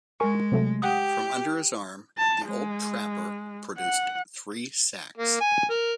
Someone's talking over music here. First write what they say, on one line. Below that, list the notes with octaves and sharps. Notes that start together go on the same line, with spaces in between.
From under his arm the old trapper produced three sacks.
G#3 A#4 G#5 C#6
C3 F#3 A3
G4 F#5 D#6
A5
G#3
F#5
A#3
G#5
A#4